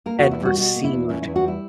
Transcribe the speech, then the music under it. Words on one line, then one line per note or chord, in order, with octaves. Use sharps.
and received
A#3 A#4
E2 F#4
E4
G3 F#4
B2 F#4
A#3
E4
E2
C#4 E4
E2 E4
F#4
G3 E4